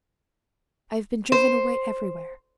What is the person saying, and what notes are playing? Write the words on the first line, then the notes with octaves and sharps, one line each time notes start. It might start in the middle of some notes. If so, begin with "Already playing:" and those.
"I have been driven away everywhere."
C5